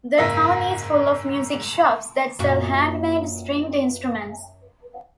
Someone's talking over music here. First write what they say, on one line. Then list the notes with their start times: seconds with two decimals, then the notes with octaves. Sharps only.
The town is full of music shops that sell handmade stringed instruments.
0.18 F#1 G#2 A#3 E5 A#6
2.39 F#2 A#2 F#4